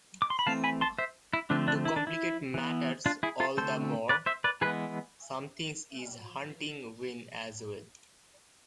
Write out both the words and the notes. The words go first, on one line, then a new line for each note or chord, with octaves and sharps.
To complicate matters all the more, something is hunting Wynn as well.
D6
C6
B5
E3 A3 C4 F5 A5
G#5 B5
A5 C6
C5 E5
E4
D3 F3 A3 C4 D4
D4
E4
D4
E4
E3 B3
D4 F4
E4 G#4
F4 A4
D3 A3 C4 A4 C5
B4 D5
C5 E5
B4 D5
E3 G#3 B3 G#4 B4